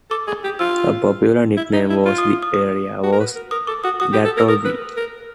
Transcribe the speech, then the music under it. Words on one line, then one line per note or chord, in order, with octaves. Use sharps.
A popular nickname for the area was Gatorville.
A4 D6
G#4
G4
F4 E6
E4
D#4
E4
F4
D#6
D#6
D#6
F#4
A#4
B4
A#4
A#4 D#6
A4 D6
F#4 D#6
F#4 D#6
G4
A4
A#4
E6
A#4 D#6
B4
A#4